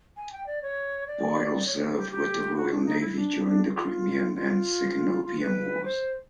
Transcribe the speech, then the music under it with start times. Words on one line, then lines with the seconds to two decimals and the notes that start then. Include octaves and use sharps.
Boyle served with the Royal Navy during the Crimean and Second Opium Wars.
0.17 G#5
0.32 G5
0.47 D5
0.62 C#5
1.07 D5
1.66 C#5
1.96 G4
2.11 G4
2.56 F#4
2.71 D4
2.86 D#4
3.01 E4
3.16 D4
3.46 D4
3.75 F4
4.35 F4
5.25 F4
5.40 B4
5.84 C5